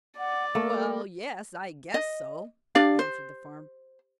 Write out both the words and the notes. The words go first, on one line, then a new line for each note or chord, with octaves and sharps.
"Well, yes, I guess so," answered the farmer.
D5 F#5
A3 A#3 A4
D#5
D4 G4 D5 F5
C5